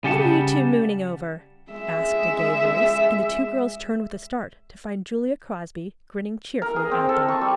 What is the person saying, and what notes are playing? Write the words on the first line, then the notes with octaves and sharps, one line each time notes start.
"What are you two mooning over?" asked a gay voice, and the two girls turned with a start to find Julia Crosby grinning cheerfully at them.
C#3 G3 G4 F#5 A5
G#3 E5
A#4
G#4
C4
A4
C#6
G3